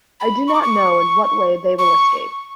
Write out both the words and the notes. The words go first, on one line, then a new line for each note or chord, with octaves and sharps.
I do not know in what way they will escape.
B5
C#6
D6
C#6
C#6